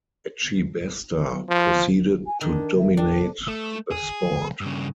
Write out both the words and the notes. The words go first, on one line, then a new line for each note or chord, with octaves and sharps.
Etchebaster proceeded to dominate the sport.
F3
G#5
D#3 D4
E5
D4 G5
A3
G#4
G2 C#3